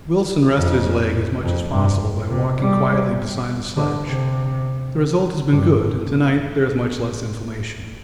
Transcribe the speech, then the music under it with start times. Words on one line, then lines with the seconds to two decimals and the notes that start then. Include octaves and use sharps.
Wilson rested his leg as much as possible by walking quietly beside the sledge; the result has been good, and to-night there is much less inflammation.
0.56 F2
1.43 F2
1.72 G2
2.31 C3
2.60 G3
3.77 D3
4.06 C3
5.52 G2